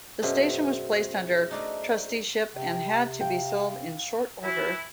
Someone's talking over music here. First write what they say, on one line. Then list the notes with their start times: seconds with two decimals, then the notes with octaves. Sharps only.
The station was placed under trusteeship, and had to be sold in short order.
0.22 F#2 B2 D4 G#4 C5 E5
1.51 A3 D4 D#4
2.54 C3 G5
3.21 F5 G5
4.43 E3 E4 F#4